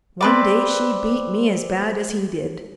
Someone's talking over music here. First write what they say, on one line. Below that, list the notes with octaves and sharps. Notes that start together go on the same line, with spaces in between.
One day she beat me as bad as he did.
C4 B4 D5